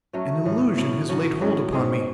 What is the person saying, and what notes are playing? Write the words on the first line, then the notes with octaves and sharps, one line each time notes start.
An illusion has laid hold upon me.
F#3 A3 C#4
A2 F#3 C#4
A2 F#3 C#4
A2 F#3 C#4
A2 F#3 C#4
G#2 G#3 C#4 G#4